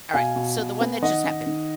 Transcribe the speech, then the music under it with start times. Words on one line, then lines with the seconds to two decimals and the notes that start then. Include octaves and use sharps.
Alright, so the one that just happened.
0.14 B2 F5 G#5
0.36 B2
0.58 B2
0.81 B3
1.02 D#3 D#5 F#5
1.25 D#3
1.46 D#3